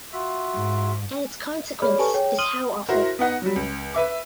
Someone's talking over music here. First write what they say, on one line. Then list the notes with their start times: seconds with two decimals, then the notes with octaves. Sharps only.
And its consequence is how awful.
0.13 F4 F#4 E5
0.54 G#2
1.82 G#4 C#5 D5 B5 F6
1.98 G4 A4 B4 G#5 A5 C#6
2.14 G#4 C#5 G5
2.38 C6 D#6 F6 D#7 F#7 G7
2.89 E4 F#4 A#4 C5
3.19 B3 D#4 F#5
3.42 F#3 G3
3.56 C#2
3.94 B4 E5 D6